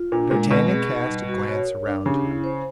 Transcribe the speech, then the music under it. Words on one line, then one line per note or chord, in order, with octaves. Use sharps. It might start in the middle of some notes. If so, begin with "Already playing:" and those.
D'Artagnan cast a glance around him.
Already playing: F4
A#2 D4
A#2 G#3
B2 C4
G#4
D#4
G3
F#4
C#5
A#4
D4
C#3 G4
E4
C5